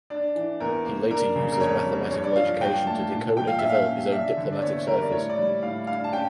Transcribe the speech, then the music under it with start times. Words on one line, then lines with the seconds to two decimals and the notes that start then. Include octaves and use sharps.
He later used his mathematical education to decode and develop his own diplomatic ciphers.
0.10 D4 D5
0.35 E3
0.60 E2 A#4
0.86 A#3
1.11 D4 A#4
1.36 C#3
1.52 A#4
1.61 F2 C#5
1.86 G3
2.11 G2 C#5
2.24 D5
2.36 F3 F5
2.61 G2 G5
2.86 A3 A5
3.11 A#2 A5
3.36 F3 G5
3.47 F5
3.59 A#2 E5
3.70 F5
3.87 C#4
4.12 D4 E5
4.37 D3
4.53 D5
4.62 E2 C#5
4.87 G3 A#4
5.02 D5
5.12 A2 C#5
5.29 D5
5.38 G3
5.62 A2 F5
5.87 D4 F5
6.04 A5
6.13 C#4 G5